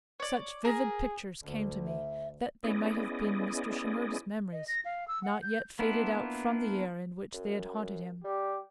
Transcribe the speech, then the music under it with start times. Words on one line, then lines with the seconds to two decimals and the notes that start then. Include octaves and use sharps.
Such vivid pictures came to me that they might have been Mr. Shimerda's memories, not yet faded out from the air in which they had haunted him.
0.20 C#5 D5
0.65 G#4 A#4
1.44 D2
1.86 E5
2.64 B3 C#4 E4 G#4 D5 D#5
4.52 D#5
4.68 A#6
4.85 F5
5.08 E6
5.24 F#5
5.42 G6
5.79 A#3 B3 D4 E4 F4
7.34 F#2
8.24 G3 G4